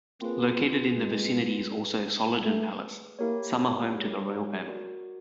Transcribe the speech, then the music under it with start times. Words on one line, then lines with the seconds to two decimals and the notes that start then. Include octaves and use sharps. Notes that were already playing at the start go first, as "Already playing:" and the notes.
Located in the vicinity is also Solliden Palace, summer home to the royal family.
0.21 A#3 C4 F4 G#4 B4
0.95 G#3
1.70 G#4 B4 D5
2.44 A3
3.19 A#3 E4 G4 A#4 C#5
3.94 G#3
4.68 F#4 A#4 D5